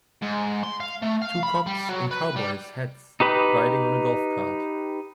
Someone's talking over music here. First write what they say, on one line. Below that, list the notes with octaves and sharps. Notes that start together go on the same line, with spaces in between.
Two cops in cowboys hats riding on a golf cart.
G#2
C6
F5
A3
F5
B5
G3
F#3
B4
G3
D#4 G4 B4 B5